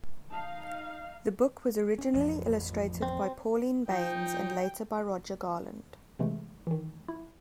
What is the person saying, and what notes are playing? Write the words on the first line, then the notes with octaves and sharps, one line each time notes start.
The book was originally illustrated by Pauline Baynes and later by Roger Garland.
D#4 F5 A5
C#4
A1 F2 F3
C4
F3 D#4 G5
C3 E3 G#3 A3
D#3 E3
E4